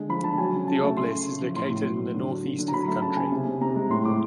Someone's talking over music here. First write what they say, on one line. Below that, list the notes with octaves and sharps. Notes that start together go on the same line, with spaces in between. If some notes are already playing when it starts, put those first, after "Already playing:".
The Oblys is located in the northeast of the country.
Already playing: D3 G#3
F3 B5
D3 A5
F#3 G#5
C#3
C#3 A5
A3
C#3 C6
C#3
C#3
F3
A2 C6
A2
F#3
A2
D3
F#3
D3
D3
A#5
F#3 B5
A3 B5
C#3 A5
C#3 G#5
C3
C3
C3 A#5
G#3
A2 C6
A2 D6